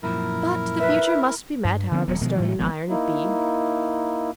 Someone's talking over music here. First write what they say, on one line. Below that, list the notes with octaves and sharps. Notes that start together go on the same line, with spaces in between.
But the future must be met, however stern and iron it be.
F#2 A#2 F3 E4 A#4
B4 E5
G2
D3 F3 B3 C4
D#1 F#3 B3
B2 D#3 F3 G#3
A2 E3 G3 A3
G#1 G#2 F3 B3
A#3 D#4 E4